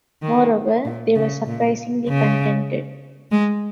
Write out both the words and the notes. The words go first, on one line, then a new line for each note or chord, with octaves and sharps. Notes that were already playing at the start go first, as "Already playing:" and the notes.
Moreover, they were surprisingly contented.
D#3
A#2
C#3
A#2
C#3
G#3